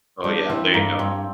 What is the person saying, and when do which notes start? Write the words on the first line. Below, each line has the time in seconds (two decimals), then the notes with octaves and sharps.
Oh, yeah, there you go.
0.24 G3 D4
0.38 D4
0.49 E3 C4
0.74 G2 A#3
0.99 G2 C4